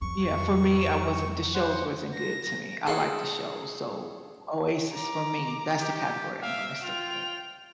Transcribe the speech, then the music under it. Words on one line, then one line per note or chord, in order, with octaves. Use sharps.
Yeah, for me, I wasn't the shows wasn't good to me, I like the show, so, Oasis for me that's the category I'm gonna stick with.
F2 C#6
C5 F#5
A#6
G#4 A4 F#5 C6
A#5 D6
G4
E5 F5 D7
F4 G5 F7